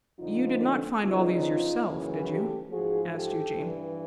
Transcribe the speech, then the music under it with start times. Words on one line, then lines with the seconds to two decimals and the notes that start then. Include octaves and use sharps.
'You did not find all these yourself; did you?' asked Eugene.
0.19 F2 D3 F3 D#4 F4
1.03 E2 C#3 F3 D#4 F4
1.88 F#2 C#3 E3
2.30 G4 A4
2.71 G#2 F3 F#4 G#4
3.14 G4 A4
3.56 G2 E3